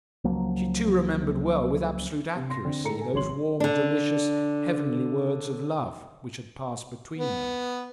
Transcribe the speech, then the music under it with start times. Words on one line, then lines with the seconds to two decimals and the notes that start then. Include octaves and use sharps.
She too remembered well, with absolute accuracy, those warm, delicious, heavenly words of love which had passed between them.
0.24 C#2 F3 F#3 A#3
2.36 C3
2.50 C6 A#6
2.65 D3 C4
2.84 A2 G#4 A4 A#5 C#7
2.98 A4 G#5
3.13 G#1 F#3 C#5 C6 F#7
3.60 D3 D4
7.18 B3